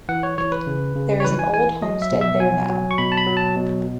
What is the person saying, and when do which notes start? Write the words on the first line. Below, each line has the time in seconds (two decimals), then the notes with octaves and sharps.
There is an old homestead there now.
0.09 E3 F#5
0.23 C#5
0.38 E3 C#5
0.52 B4
0.67 C#3
0.96 C#3
1.20 C#5
1.24 E3 B4
1.39 G#5
1.53 E3 G#5
1.82 F#3 D#5
2.02 E5
2.12 B2
2.21 E5
2.40 F#3 G#5
2.69 F#3
2.91 C#6
2.98 B2 B5
3.12 A5
3.17 B5
3.27 F#3
3.37 A5
3.56 B2